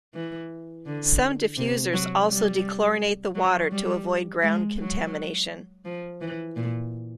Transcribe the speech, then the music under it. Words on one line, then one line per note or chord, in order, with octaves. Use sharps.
Some diffusers also dechlorinate the water to avoid ground contamination.
E3
D3
C3
F#3
G3
F#3
G3
G#3
F#3
F3
E3
A#2